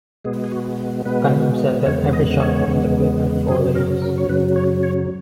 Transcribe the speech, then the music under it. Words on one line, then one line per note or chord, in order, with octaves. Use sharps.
Cunningham said that every shot in the clip had four layers.
B2 G#3 B3 G#4
G#4
F#4
B2 G#3 B3 B4
E2 C#3 G#3 B3 C#5
D#5
C#5
E2 C#3 G#3 B3
F#2 C#3 F#3 G#4
A#4
A#4
C#5
F#2 C#3 F#3 B4
C#5
C#5